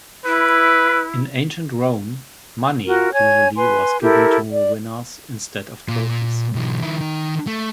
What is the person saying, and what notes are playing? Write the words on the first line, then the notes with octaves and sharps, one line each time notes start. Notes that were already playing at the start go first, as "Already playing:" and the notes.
In ancient Rome, money usually was given to winners instead of trophies.
E4 B4
F4 F#4 A#4
C#5 G#5 G#6
B4 G#5 C6
E4 G4 A4 A#4
D5
A#2
B1 E3
D#3 E4
D#3
A3